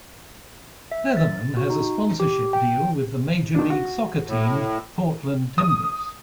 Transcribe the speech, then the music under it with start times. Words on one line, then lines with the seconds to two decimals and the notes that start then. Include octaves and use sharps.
Leatherman has a sponsorship deal with the Major League Soccer team Portland Timbers.
0.92 E5
1.17 A6
1.57 F#4
1.70 D#4
2.20 G4
2.53 G5
3.55 D#3 D4
3.70 F#4
4.27 A2
5.58 D#6